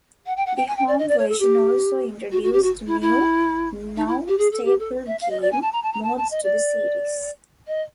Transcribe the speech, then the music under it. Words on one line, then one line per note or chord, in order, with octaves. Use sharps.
The home version also introduced new, now-staple game modes to the series.
F#5
G5
F#5
G5
G#5
G5
D5
D#5
D5
C#5
A4
G4
F#4
F#4
G4
F#4
E4
E4
D#4
E4
G4
G#4
A4
G4
A4
E5
F5
D#5
D5
G#5
A5
A#5
A5
A#5
A5
A5
D#5
D5
D#5